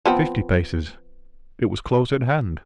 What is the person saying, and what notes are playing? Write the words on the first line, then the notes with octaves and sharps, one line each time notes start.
Fifty paces--it was close at hand!
F3 B3 C4